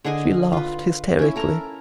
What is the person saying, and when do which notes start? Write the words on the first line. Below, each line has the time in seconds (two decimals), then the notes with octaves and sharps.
She laughed hysterically.
0.04 D3 G#4 D#5 G#5
0.52 F4 B4
1.19 C#4 E4
1.36 A4 A#4 A#5